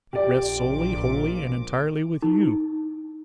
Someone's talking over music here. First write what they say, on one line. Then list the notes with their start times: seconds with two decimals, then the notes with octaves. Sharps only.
It rests solely, wholly, and entirely with you.'
0.13 A#1 A#2 G4 D5 D6
2.22 D#4